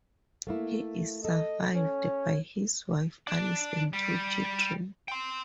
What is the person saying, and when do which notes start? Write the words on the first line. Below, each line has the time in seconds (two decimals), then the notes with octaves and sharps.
He is survived by his wife, Alice and two children.
0.47 A3 A#3 E4
1.25 A4 D#5
1.75 C#4 C#5
3.27 D4 D5
3.93 G3
5.08 G5 C6